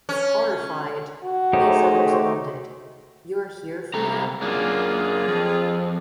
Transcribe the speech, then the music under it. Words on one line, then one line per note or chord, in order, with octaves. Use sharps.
Horrified, Mason responded, You're here for that?
C#4
F#4
A3 D#4 G4 G#4 C5 C#5
C3 G3 A#5
F#2 A#3 D4 F4 G#4
F2